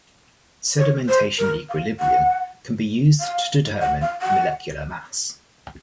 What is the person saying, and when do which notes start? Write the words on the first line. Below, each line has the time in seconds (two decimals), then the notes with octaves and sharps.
Sedimentation equilibrium can be used to determine molecular mass.
0.79 C#5
1.09 C5
1.39 A#4
1.69 F5
2.00 F#5
3.21 F5
3.81 F#5
4.02 F5
4.22 F#5